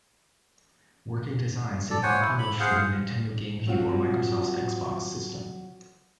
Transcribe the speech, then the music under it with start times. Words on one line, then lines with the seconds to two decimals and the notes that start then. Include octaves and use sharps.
Working Designs did not publish for the Nintendo GameCube or Microsoft's Xbox system.
1.90 A4 D5
2.03 C5 C#5 F#5 G#5
2.21 E4
2.39 B5
2.60 G#4 C5 F5 F#5
3.67 F#3 C4 F4 F#4